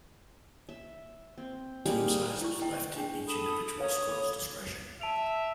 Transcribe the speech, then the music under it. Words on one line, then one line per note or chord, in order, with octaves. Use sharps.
Team size was left to each individual school's discretion.
E5
C4
G3 G#3 A#3 D#4
E4 C#6
D#5 G5
D4 G#4 G5
A4 B5 D#6
B4 C#5 F5 D#6
A4 B5 D6
E5 A5 D7 F7